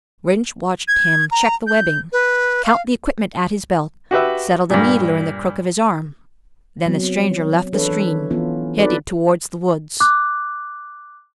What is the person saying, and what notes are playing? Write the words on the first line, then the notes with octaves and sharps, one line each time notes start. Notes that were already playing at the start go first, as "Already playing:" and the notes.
Rynch watched him check the webbing, count the equipment at his belt, settle the needler in the crook of his arm. Then the stranger left the stream, headed towards the woods.
G#6
A#5
G6
B4
F5
F#4 G4 B4 E5
G2 A#2
F#3 B3 C4
E3 D4 G#4 A4 B4 C#5
E3
E3 F3 B3 C#4 F4
C4 D#4 F#4 A4 B4 D5
D6 F#6